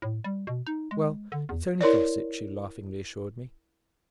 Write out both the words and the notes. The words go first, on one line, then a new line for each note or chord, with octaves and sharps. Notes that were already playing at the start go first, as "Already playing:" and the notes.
"Well, it's only gossip," she laughingly assured me.
A2
G3
B2
D#4
G#3
D3
E2
E4 A#4 C#5 D5